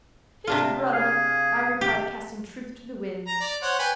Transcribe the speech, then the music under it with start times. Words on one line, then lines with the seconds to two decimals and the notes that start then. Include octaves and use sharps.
'His brother,' I replied, casting truth to the winds.
0.47 C3 D4 F4
0.93 G#4 F5
1.81 G4
3.27 A#5
3.41 D5
3.62 C5 C#5 F#5
3.79 B4 G5 G#5